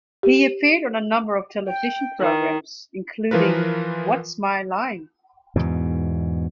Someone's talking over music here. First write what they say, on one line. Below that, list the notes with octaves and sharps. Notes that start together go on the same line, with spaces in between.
He appeared on a number of television programs, including What's My Line?
G4
G5
D#3
E3 F3 F4 A#4 B4
E2 G#2 B2